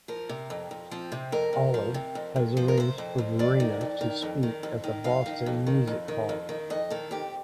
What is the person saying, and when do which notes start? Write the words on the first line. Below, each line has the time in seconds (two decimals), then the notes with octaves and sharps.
Olive has arranged for Verena to speak at the Boston Music Hall.
0.08 F3 A#4
0.29 C3
0.50 F2
0.71 F2
0.91 F3 C4
1.12 C3
1.32 F2 A#4
1.53 F2
1.74 F3
1.94 C3
2.15 F2
2.36 F2
2.57 F3 C5
2.68 A#4
2.77 C3 C5
2.98 F2
3.18 F2
3.39 F2 D5
3.60 D#3
3.81 F2
4.01 D#3
4.22 F2
4.43 D#3
4.63 F2
4.84 D#3
5.04 F2 F5
5.26 D#3
5.46 F2
5.67 D#3
5.87 F2
6.08 D#3
6.29 F2
6.49 D#3
6.70 F2 D#5
6.90 D#3 A4
7.11 F2 G4